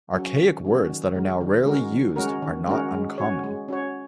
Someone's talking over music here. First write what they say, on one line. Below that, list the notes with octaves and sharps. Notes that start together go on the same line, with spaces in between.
Archaic words that are now rarely used are not uncommon.
F#3 C#4 F#4
D#3
F#3 C#4 F#4
D#3
G#3 C#4 F#4 A#4
D#3
G#3 C#4 F#4 A#4
D#3
G#3 C#4 F#4 A#4
D#3
G#3 C#4 F#4 A#4
G#3
C#4 F#4 C#5
G#3
C#4 F#4 C#5